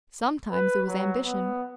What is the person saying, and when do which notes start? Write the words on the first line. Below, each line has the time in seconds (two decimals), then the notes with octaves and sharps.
Sometimes it was ambition.
0.52 B4
0.88 F#3
1.25 B3